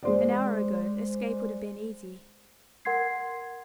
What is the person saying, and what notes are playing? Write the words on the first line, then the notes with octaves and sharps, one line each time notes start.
An hour ago escape would have been easy.
G#3 C5 D5
A#4 F#5 C6 G#6 C7